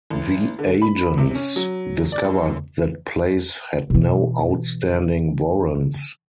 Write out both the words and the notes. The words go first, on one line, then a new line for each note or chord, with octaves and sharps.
The agents discovered that Place had no outstanding warrants.
A1
D3
B5
C3
C#4
F#3
D5
F#2
B2 E3